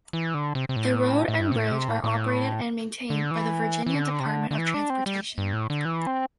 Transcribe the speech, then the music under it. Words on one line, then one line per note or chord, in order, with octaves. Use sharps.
The road and bridge are operated and maintained by the Virginia Department of Transportation.
E3
D3
C3
C3
A2
A2
G2
C3
A2
C3
A2
A2
D3
E3
E3
D3
C3
D3
D3
E3
D4
C4
G3
G2
A2
D3
E3
C4